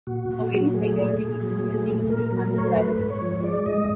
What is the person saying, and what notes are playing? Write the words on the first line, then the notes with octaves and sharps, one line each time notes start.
For various security reasons this used to be undesirable.
A#2 F#4
A#2
F#3
A3 G#4
A#2
A#2
F#3
A3
A#2
A#2 A#4
F#3
A3 C#5
C5
G#2 B4
G#2
C#5
F3
G#3 D5
G#2 D#5